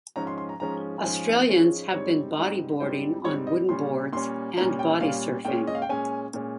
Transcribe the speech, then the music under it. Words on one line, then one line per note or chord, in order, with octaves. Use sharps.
Australians had been bodyboarding on wooden boards, and bodysurfing.
G#2 F3 G#3 C#4 A#5
C6
C6
A#5
G#2 F3 G#3 C#4 A#5
G#2 F3 G#3 C#4 G#5
G#2 F3 G#3 C#4
G#2 G3 C4 C#5
G#2 G3 C4
G#2 G3 C4 C5
G#2 G3 C4 C#5
D#5
A#2 G3 C#4 C6
A#2 G3 C#4 C6
A#2 G3 C#4 A#5
G5
A#2 G3 C#4 F5
A#2 G#3 C#4 G5
D#5
F5
G5
A#2 G#3 C#4 G#5
A#2 G#3 C#4